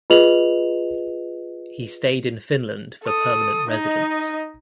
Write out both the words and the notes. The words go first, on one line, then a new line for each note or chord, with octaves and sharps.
He stayed in Finland for permanent residence.
F4 G#4 B4 D#5 F7 F#7
A4 D#6
D#4 D#5